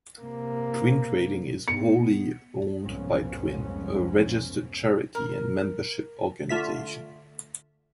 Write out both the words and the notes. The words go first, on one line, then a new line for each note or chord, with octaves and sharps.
Twin Trading is wholly owned by Twin, a registered charity and membership organisation.
C3 A#3
B3 C#7
C2 F2 G#2 F3 B3 C#4
A#4
D3 A3 F4 E5 B6